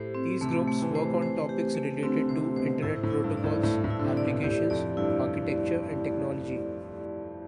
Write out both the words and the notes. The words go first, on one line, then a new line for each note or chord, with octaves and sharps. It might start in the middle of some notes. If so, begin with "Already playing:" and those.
These groups work on topics related to Internet protocols, applications, architecture and technology.
Already playing: A2 G4 C5
C4
C3 A3
A3
E3
C5
C5
G4
A3
D3 C4
C3 C5
B2 C5
A2 E4
A2
E4
G2
D5
A2
A2 A3
A2
E4
D3
C3
D5
B2
A2 G4
F2 D5
G2 E4